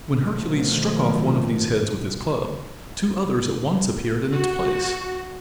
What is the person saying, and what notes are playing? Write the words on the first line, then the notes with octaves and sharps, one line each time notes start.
When Hercules struck off one of these heads with his club, two others at once appeared in its place.
B2 D#3 F3 F#3 A3
F#4